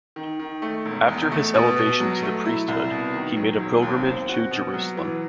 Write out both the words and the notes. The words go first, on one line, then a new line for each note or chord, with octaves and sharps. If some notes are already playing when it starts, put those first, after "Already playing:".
After his elevation to the priesthood, he made a pilgrimage to Jerusalem.
D#3
D#3
A3
E1
E2
A3
B2
B2
F#3
A3
E4
C2
B2
D#3
F#3
E1
D#2
C4
F#4
B2
F#3
E3